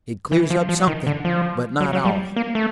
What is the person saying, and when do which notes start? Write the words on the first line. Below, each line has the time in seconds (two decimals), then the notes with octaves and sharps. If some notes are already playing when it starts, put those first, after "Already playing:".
It clears up something, but not all.
0.32 E3
0.50 F3
0.69 F3
0.88 D#3
1.07 D3
1.25 F3
1.81 F#3
1.93 F#3
2.05 G3
2.36 A#3
2.55 A3